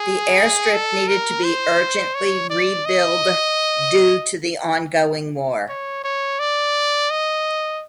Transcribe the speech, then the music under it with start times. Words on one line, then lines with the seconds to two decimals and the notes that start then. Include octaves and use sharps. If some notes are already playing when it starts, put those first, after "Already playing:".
The airstrip needed to be urgently rebuild due to the ongoing war.
Already playing: G#4
0.74 A4
1.08 A#4
1.44 C5
2.15 C#5
2.50 D5
2.86 D#5
5.69 C#5
6.04 C#5
6.39 D5
7.10 D#5